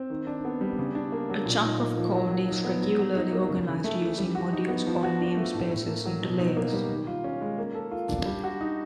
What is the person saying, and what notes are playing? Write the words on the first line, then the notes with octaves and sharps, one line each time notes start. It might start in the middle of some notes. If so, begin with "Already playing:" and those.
A chunk of code is regularly organized using modules or namespaces into layers.
Already playing: C4
D#3
D4
B3
G3
C#3
D4
A#3
F#3
A#2
D#4
A#3
F3
F#3
F#3
D#4
B3
F#3
F#3
D#4
A#3
C#3
C#3
A3
E3
G3
F#4
D#4
B3
F3
F#4
D4
A3
A2
A2
A#3
F#3
B2
D#4
A#3
G3
D#3
F4
C#4
G#3
A#3
A4
F4
D4
G3
F#4
D#4